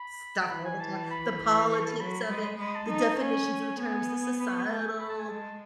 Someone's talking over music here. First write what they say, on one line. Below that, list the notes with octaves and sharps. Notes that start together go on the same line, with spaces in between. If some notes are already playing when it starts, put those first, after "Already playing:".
stuff all the time. The politics of it, the definitions of the terms, the societal
Already playing: B5
E3 B5
G#5
E3 A5
B5
E3
C#6
A5
F#3 B5
G#3
G#3 B5
A5
D#4 A5
C#4 G#5
B3 G#5
B5
C#6
B5
A3 A5
G#5
B5
A5
G#5
G#3 A5